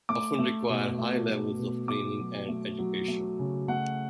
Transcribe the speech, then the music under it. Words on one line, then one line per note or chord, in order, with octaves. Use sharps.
They often require high levels of training and education.
A3 D6
A3
B2
A3
A3
B2
A3 D6
F#3
A3
F#3
A3
C#3
A3 F#5